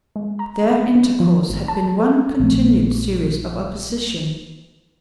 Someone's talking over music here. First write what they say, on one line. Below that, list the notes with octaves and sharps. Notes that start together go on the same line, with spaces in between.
Their intercourse had been one continued series of opposition.
G#3
A#5
A3
B3
F3
G#1
A5
A4
A#1 A3